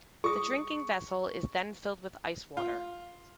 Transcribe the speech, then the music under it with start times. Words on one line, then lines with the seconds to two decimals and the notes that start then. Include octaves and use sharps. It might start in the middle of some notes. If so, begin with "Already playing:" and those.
The drinking vessel is then filled with ice water.
0.24 G#4 C#6 D#6
2.57 F4